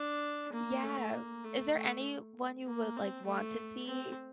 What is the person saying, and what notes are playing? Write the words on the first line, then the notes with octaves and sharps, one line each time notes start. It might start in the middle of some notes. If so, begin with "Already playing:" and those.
Yeah. Is there anyone you would, like, want to see
Already playing: D4
A#3
A3
A#3
A3
A3
A#3
C4
A3
C4